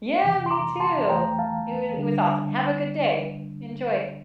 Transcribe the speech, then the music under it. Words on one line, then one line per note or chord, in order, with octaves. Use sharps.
Yeah, me too. It wa it was awesome. Have a good day. Enjoy.
F2 C3 E3
C6
A#5 D6
A5 C6
E2 E3 A3 G5 A#5
F5 A5
D3 G3 D4